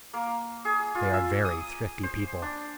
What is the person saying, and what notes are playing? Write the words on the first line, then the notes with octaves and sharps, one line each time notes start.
They are very thrifty people.
A#3
G#4
F4
E5
D#6
C5
D4